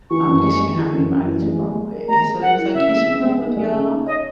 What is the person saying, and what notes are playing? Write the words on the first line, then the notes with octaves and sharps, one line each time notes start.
um, because she didn't have anybody to room with, and so they was, like, "Can she room with y'all?"
E3 C#6
F#2
G#3
G#3
E3
F#2
F#2
E3
G#3
G#3
G#3
A#4
G#3 A#5
G#3
A#4 F#5
E4
C#3 E5
G#3
C#3
G#3
D#4
G#3
C#3
D#4
C#5 D#5